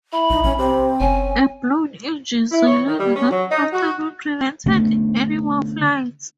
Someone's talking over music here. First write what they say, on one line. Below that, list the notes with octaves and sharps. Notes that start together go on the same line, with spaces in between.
A blown engine cylinder that afternoon prevented any more flights.
E4 B5
C2 D#4
B1 C#4
C3 C4
F#1 C#4 G#5
E4
C#5
D#3
G3
C#4
F#3
D#4
F#4
D3 A3 B3 C#4